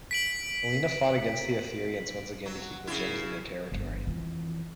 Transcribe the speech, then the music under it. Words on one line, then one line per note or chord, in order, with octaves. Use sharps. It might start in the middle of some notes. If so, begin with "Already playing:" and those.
Alena fought against the Etherians once again to keep the gems in their territory.
B6 D7 F#7
F#3
C#3 E4
G1
F2 E3